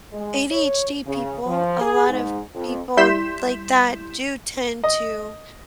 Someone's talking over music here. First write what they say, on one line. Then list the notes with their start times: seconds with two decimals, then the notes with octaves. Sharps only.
ADHD people a lot of people like that do tend to,
0.13 G#3
0.51 C#5
1.07 C#3
1.46 F3
1.82 G#4
2.10 G#2
2.55 F2
2.97 G3 E4 C6 G6 B6 E7
4.84 D#5